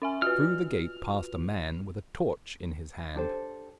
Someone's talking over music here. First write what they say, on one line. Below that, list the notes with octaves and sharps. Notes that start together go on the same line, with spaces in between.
Through the gate passed a man with a torch in his hand.
C#4 E5 G#5
F4 F#4 B4 F6
D4 G4 A4 C5